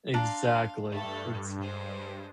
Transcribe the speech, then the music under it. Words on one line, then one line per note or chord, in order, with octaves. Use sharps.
Exactly. Exa
D4 F5 A#5 C6
G2 A3 A4
G#3 C5